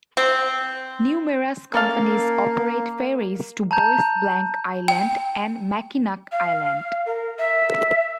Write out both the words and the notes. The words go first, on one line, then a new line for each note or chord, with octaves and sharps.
Numerous companies operate ferries to Bois Blanc Island and Mackinac Island.
C4
A#3 C#4 A4 F5
A5 A#5 G6
G5
F5
A#4
E5